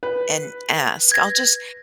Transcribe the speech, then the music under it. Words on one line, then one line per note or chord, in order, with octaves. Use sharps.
and ask, I'll just
B4
G#6 A#6